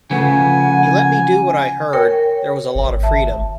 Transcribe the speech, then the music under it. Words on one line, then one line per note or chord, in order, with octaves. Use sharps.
He let me do what I heard, there was a lot of freedom.
C#3 F3 A3 B4 F#5 G#5
A#4 C#5 G5
G#1
E5 A5